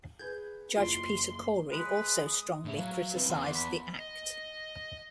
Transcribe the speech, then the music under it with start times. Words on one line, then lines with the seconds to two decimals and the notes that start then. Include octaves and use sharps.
Judge Peter Cory also strongly criticised the Act.
0.19 G#4 B4 G6 G#6
0.77 F#1 E4 F4 C6 D7
1.72 G#3 B4
2.26 D#6
2.65 A2 E5
2.77 F#3 F5
3.16 C4 E4 B4
3.30 E2 B3 F#5 C6
3.55 B5 B6
3.98 D#5